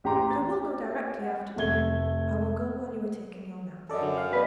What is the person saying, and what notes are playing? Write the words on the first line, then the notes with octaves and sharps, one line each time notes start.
But I will go directly after dinner; I will go while you are taking your nap.
A1 G4 G5 A#5 C6 D6
A6
F#5
F1 A3 E5 G#6 G7
F#2 A4 D5 D#5
D3 F#3
F5
B3 B4 D5 D#5